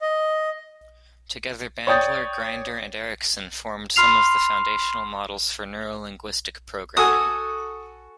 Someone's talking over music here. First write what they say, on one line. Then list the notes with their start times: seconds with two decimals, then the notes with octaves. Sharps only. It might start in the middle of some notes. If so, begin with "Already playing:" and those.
Together Bandler, Grinder, and Erickson formed some of the foundational models for Neuro-linguistic programming.
0.01 D#5
1.87 C#5 D5 G5 D#6 G6 A6
3.96 B5 C6 F6 C7 F7
6.97 F#4 A4 G#5 D#6